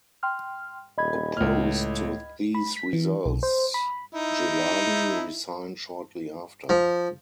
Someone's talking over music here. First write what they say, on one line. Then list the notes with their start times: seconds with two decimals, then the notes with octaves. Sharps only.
Opposed to these results, Gillani resigned shortly after.
0.23 G5 C6 F6
0.98 D#1 D#5 B5 G#6
1.37 C#2 A2 F6
2.55 B5
2.77 B6
2.93 E3
3.25 B1
3.43 C5
3.74 B5
4.13 D#4 E4
6.69 F3